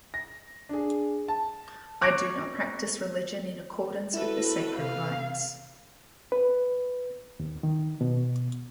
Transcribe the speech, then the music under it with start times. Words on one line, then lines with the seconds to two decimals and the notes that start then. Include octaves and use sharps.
'I do not practice religion in accordance with the sacred rites.
0.14 A#6
0.69 D4 G#4
1.28 A5
2.01 C#6 D6 F#6 G#6 A#6 D7
4.14 E4 F#4 A4 B4
4.78 C3 F5
6.32 B4
7.40 D#2
7.63 D#3
8.01 B2